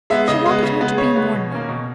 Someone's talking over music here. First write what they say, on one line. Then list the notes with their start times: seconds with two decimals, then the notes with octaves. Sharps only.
She wanted her to be more known.
0.10 G#3 B3 E5
0.28 C#3 D#5
0.46 G#3 B3
0.63 C#3
0.81 G#3 B3
0.98 C#3 C#5
1.16 G#3 B3
1.34 B2
1.51 A#3 C#4
1.69 B2